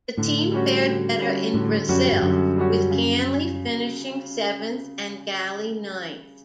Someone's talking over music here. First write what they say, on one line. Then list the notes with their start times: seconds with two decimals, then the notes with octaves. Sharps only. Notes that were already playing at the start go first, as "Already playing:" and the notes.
The team fared better in Brazil with Ganley finishing seventh and Galli ninth.
0.17 A2 D3
0.52 G3 C#4 F#4
0.86 D3
1.20 G3 C#4 F#4
1.54 A2 D3
1.89 F#2 G3 C#4 F#4
2.12 G2
2.23 F#2 D3
2.56 G3 C#4 F#4
2.91 C#3